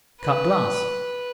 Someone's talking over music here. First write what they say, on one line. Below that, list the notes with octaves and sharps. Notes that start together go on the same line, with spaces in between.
Cut glass.
B4